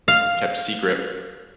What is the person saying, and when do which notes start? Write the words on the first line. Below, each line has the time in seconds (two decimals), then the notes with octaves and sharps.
kept secret.
0.08 F5